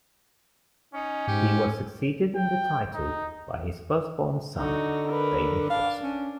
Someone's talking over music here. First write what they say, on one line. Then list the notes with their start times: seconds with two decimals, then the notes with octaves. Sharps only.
He was succeeded in the title by his first-born son David Russell.
0.94 C#4 D#4
1.28 G#2 G4
2.35 G5
2.94 D#4
4.57 D3 D#4 F#4
5.08 A#4 B4
5.70 D4 F5
6.03 C#4